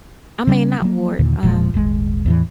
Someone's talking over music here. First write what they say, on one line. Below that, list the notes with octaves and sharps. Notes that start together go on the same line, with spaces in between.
I mean, not Ward, um
C#3 G3 C4 C#4
F#3 A#3
D#2 A#2 D3
E1 A#2 F3 G#3
D#1 G#1 G#3
E2 A2 E3